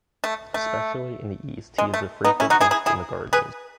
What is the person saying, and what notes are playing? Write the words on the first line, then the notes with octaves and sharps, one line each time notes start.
Especially in the east, he is a frequent guest in the gardens.
A3
A3
G#3
A3
B3 D#4
C#4 E4
D#4 F#4
E4 G#4
E4 G#4
E4 G#4
G#4 B4